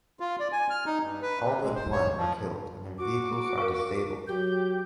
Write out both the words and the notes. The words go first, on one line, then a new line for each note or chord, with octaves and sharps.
All but one are killed and their vehicles are disabled.
F4
D5
G#5
F6
D#4
G2
B4
C3
G#3
C5
C#5
F3
F#4 D6
A#4 F5 C#6
F#3 G4 G6